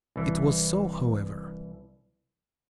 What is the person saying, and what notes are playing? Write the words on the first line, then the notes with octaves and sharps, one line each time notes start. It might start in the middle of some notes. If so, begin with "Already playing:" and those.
It was so, however.
C2 E3